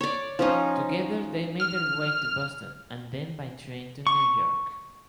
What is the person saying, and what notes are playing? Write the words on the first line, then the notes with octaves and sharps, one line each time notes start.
Together they made their way to Boston and then by train to New York.
C#5 D5
F3 C#4 D#4
F6
C#6